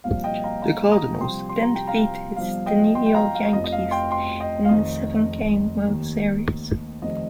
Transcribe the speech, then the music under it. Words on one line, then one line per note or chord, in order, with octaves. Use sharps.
The Cardinals then defeated the New York Yankees in a seven-game World Series.
C2 A#2 F3 F5
D#5 G5
F5 A#5
F5 A#5
A#5 D#6
C2 C3 F3 G5 C6
C6
A#5
G5
F5 A#5
G1 G2 F3 F5
D#5 G5
G5 C6
G5
F5 A#5
F5
F1 F2 F3 D#5
D#5
F5
G5 C6
G5 C6
D#5 G5
F5
F1 F2 D#3 D#5
D#2 D#3
F1 F2 D#3 D#5